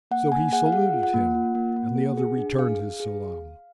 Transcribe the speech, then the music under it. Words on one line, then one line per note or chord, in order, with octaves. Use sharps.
So he saluted him and the other returned his salam.
A#3 F#5
A#3 G#5
G#4 F#5
F5
G#4 F#5
F4
F#5
A#3
F4
A#3
A#3
G#4
G#4
D4
G#4 F5
G#4
G#4